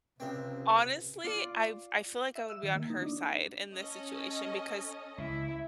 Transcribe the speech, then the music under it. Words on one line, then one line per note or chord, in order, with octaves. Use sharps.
Honestly, I f I feel like I would be on her side in this situation, because
C#2 C3 C4
F4 D5
E5
E6
D#3
A#3
D#4
D4
C#4 A4 D#5
C#2 E4 E5